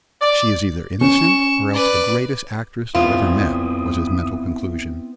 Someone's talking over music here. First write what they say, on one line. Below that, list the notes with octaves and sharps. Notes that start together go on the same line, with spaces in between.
"She is either innocent, or else the greatest actress I've ever met," was his mental conclusion.
D5
C#4 C#6 E7
B4 D5
F2 B3 C4 E4 F4 D#6